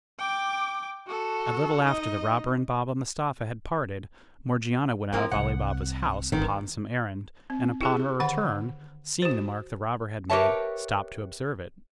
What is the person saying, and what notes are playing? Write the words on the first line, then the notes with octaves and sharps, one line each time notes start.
A little after the robber and Baba Mustapha had parted, Morgiana went out of Ali Baba's house upon some errand, and upon her return, seeing the mark the robber had made, stopped to observe it.
G5 D6
F#4 A4
D#4 D#5
F3 A#3 C4 D#4 E4
C2 C4 F#5
G1 F#2 D#3
C4
E4 G4 G#4
D3 D#3 F#5 B5
F#4 C5
G4 A#4 B4 C#5 E5 A5